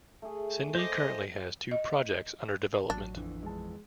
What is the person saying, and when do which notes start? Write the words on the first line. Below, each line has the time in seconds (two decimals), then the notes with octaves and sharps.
Cindy currently has two projects under development.
0.22 A3 G#4
0.75 C5 D#5 D6
1.71 D#5
2.90 A1 F#3 D4
3.16 F2 D3 E3
3.43 G#3 A5